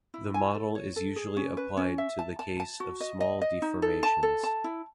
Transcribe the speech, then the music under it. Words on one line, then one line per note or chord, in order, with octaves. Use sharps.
The model is usually applied to the case of small deformations.
E4
G#5
A4
C#5
A4
G#4
C#4
B4
C#4
E5
A5
A5
A5
F#4
D#5
D#5
D#5
D#4
A4
A5
A4
A5
E4